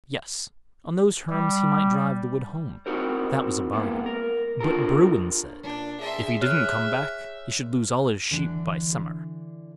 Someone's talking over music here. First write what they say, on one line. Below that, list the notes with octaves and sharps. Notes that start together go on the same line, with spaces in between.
Yes! on those terms he might drive the wood home, that was a bargain; but Bruin said, 'if he didn't come back, he should lose all his sheep by summer'.
G3
C4 D#4 E4 F#4 A#4 C5
G#3 A#3 B3
A#4
D4 F4 A4 A#4
A#2 D4
G#4 E5 C6
C#5 E5 F6 F#6
D3 E3 D4